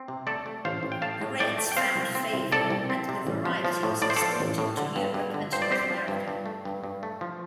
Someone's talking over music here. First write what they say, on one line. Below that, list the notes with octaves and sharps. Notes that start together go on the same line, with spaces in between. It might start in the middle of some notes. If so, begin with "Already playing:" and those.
The 'Reds' found favour and the variety was exported to Europe and North America.
Already playing: C4
C3
A3 A4 D5
A3
A1 C5 F5
A1
G5
A2 F5 A5
A2
A2 D5 G5
A3
G5
C4 C5 F5
C2
C4
C2
C2 A4 D5
C2
C4
C3
A1
F3
F3
A2
A2 D5
C5
F3 A4 D5
A1
A2
D3
G2
G2
D3
G2 C5
D5
C4 G4 C5
F3
G2
G2
A3
G2
G2
A3
F3